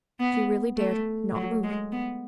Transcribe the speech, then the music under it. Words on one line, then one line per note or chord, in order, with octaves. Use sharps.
She really dared not move.
B3
A3
F#3
G#3
B3